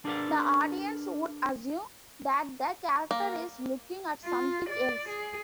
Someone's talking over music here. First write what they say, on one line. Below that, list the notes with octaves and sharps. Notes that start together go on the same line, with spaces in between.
The audience would assume that the character is looking at something else.
D4 G#4 A#4 B4 D5
A#3
F4
D5
G#4